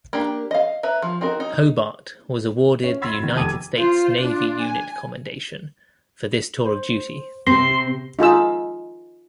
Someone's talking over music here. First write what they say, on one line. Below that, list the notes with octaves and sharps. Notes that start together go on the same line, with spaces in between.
"Hobart" was awarded the United States Navy Unit Commendation for this tour of duty.
A#3 D4 G4
D#5 F5
B4 E5 A#5
F3
C4 D#4 F#4 A#4
D#4
C#4
B5 C6 E6 G#6 A6 B6
B2 D#3
F1 A5 D6 D#6 G#6 D#7
F4 C5
D4 F4
G#5
C5
C3 C4 C6 A#6
D#4 F4 G#4 E6